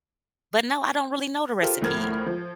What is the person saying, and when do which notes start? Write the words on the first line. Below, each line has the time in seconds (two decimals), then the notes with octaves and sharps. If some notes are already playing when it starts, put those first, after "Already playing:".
but no, I don't really know the recipe.
1.62 F4 G4 A4 A#4 C5
1.81 D2 A2 F3 A#4 G#6
2.26 F3